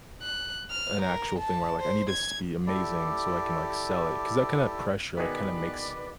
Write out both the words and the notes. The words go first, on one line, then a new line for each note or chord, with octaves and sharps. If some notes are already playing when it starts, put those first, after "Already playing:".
an actual thing where, like, "I need this to be amazing so I can, like, sell it." 'Cause that kind of pressure, like, kinda makes
F#6
F6
A#4
A5
C5
G#6
E4 G4 A4 D5
B2 D#3 B3 G#4 B4 D5